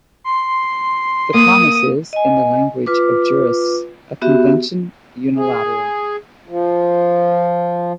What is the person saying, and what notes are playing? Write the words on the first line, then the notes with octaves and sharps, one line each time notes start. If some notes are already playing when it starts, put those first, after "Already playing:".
The promise is, in the language of jurists, a convention unilateral.
C6
A#3 D#6
D#5 G#5
F4 B4 D6
B3 F#4 G4 E5
G#4
F3